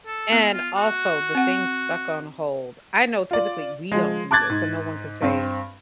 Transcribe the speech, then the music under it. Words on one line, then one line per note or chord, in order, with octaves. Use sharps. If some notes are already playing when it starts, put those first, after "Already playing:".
And also the thing stuck on hold. I know typically we don't do this, so no one could say,
A4
B3 E4
F4
F#4
C4 F#5
F4 D5
F3 G#3
A5 D6 F#6 G#6 A6
G#2
G2 C4